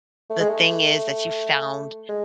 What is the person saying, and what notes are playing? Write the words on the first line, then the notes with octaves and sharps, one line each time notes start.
the thing is that you found
A3
G#3
A3
G#3